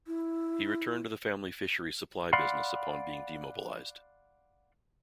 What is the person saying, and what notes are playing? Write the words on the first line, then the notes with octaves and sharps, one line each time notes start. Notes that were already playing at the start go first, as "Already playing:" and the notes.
He returned to the family fishery supply business upon being demobilized.
E4
D5 F5 F#5 B5 C6